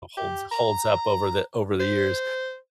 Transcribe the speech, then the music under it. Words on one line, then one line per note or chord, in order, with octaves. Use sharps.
holds holds up over the over the years.
G4
A#5
C5